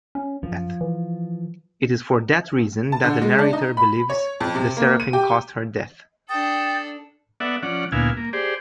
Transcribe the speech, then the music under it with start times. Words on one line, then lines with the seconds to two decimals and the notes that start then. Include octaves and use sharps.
It is for that reason that the narrator believes the seraphim caused her death.
0.15 C#4
0.43 F#2 F3
0.81 E3
2.92 A5
3.04 D3
3.22 G#3
3.39 D4
3.53 D#4
3.77 B5
4.10 C#5
4.40 F2
4.55 C3
4.77 A#3
5.00 D#7
5.13 G4
6.29 D4 A4 G5 D#6 A6
7.40 B3 A4 D5 E5 F#5
7.63 F3 C#4 D5 F#5
7.92 D2 A#2 B3 E4 F5 G#5
8.17 A#3
8.33 G4 G#4 C5 D5